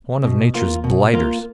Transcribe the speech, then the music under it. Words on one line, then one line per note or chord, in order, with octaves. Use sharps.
One of Nature's blighters.
B2
A#3 F4
B2
A#3 F4